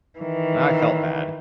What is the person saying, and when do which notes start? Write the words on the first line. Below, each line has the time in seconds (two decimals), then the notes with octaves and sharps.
Then I felt bad.
0.19 D#3 E3